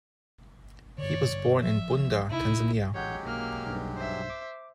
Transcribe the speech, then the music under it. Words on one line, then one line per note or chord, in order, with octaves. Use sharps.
He was born in Bunda, Tanzania.
G2 D3 C#5 D5
F3 E5
D1 C#2 C3 D#4 E4
A1 F#3 G#3 G4 C#5 F#5 G6
B1 A#3 F6
B1 G2
C5 E5
D6